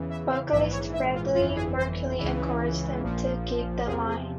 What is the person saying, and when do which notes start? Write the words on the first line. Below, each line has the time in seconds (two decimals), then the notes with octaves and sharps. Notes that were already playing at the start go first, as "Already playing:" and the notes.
Vocalist Freddie Mercury encouraged him to keep the line.
Already playing: E2 C#3 E3
0.10 E5
0.30 F5
0.52 A#1 G#2 E3 E5
0.72 C#5
0.93 E5
1.14 F4
1.35 G1 F2 E3 F4
1.56 G#4
1.77 C5
2.18 C#2 C#3 E3
3.03 A#1 A#2 F3
3.85 E2 C3 F3 G#4
4.07 G#4